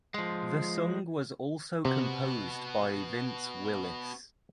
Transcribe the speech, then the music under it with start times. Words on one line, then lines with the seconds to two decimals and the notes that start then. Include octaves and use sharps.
The song was also composed by Vince Willis.
0.14 F3 G#3
1.85 C3 B3 F#4